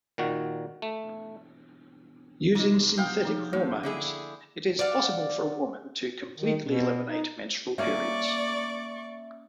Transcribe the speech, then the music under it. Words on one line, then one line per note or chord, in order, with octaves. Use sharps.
Using synthetic hormones, it is possible for a woman to completely eliminate menstrual periods.
A#2 D#3 F#4
A3
C3 G#3 D#4
B3 F5 G5
F3 D#4
A2 A#3
D3 E4 G#4
D5 F5 F#5
D#3
B2
D#4
A#3 C#4 D5 E5 F5 C#6